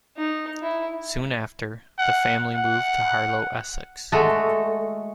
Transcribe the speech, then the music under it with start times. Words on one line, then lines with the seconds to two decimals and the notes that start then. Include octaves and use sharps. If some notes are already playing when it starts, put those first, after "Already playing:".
Soon after, the family moved to Harlow, Essex.
0.17 D#4
0.62 E4
1.98 F#5
2.55 F#5
4.12 G#3 A3 F#4 A4